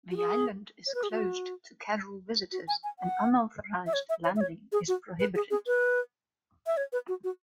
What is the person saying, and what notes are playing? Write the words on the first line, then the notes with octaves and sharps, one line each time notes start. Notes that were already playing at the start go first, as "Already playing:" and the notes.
The island is closed to casual visitors and unauthorised landing is prohibited.
F#4
G#4
C#5
B4
G#4
F#4
F#4
G#5
G#5
F#5
E5
C#5
E5
C#5
E5
C#5
G#4
F#4
B4
G#4
G#4
B4
E5
C#5
B4
F#4
F#4